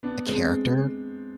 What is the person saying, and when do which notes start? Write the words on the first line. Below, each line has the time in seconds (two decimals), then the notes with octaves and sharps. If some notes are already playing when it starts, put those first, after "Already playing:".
the character
0.03 B3 D4
0.26 G#3 C4